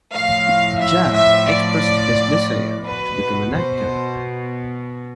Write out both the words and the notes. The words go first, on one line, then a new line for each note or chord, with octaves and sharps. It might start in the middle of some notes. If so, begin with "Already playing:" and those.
Jha expressed his desire to become an actor.
A2 F3 F5
E5
E5
D5
B2 B4
C5